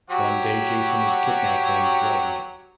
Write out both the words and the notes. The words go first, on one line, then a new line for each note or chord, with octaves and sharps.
One day Jason is kidnapped and drugged.
F#3 F#4 G4